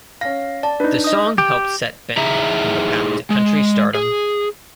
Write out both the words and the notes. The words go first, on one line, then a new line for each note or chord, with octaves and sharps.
The song helped set Bentley on the path to country stardom.
C#4 F5 A#6
D5 A5
D4 D#4 B4
D#5 D#6
G4
D#4 E4 G#4 E5 A#5
G#3
G#4